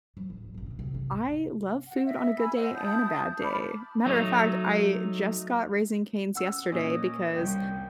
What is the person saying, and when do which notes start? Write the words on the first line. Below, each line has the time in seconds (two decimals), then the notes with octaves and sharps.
I love food on a good day and a bad day, matter of fact, I just got Raising Cane's yesterday because
0.17 F3 F#3
0.30 D1
0.54 A1 F#2
0.66 B2 D#3
0.79 C3
0.94 G#2
1.85 F#5
2.04 D#5 E5
2.37 G#5 B5 E6
2.55 C5 D#5 F#5
2.75 E4 A5 D#6 G6
3.41 A5 B5 D6 F6
4.06 F#3 A3 D#4
6.35 F#5 E6
6.72 A#2 C#4 D#5
7.35 C2 G5